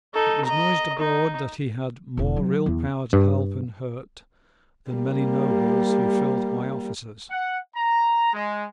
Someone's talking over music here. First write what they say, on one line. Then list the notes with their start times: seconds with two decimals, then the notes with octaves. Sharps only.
It was noised abroad that he had more real power to help and hurt than many nobles who filled high offices.
0.14 D#4 A4
0.45 D#5 A#5
0.99 D#4
2.17 E1 D#3
2.36 D#3 F#3
2.66 E2
3.13 G2
4.91 G3 A#3
7.31 F#5
7.76 A#5
8.33 G#3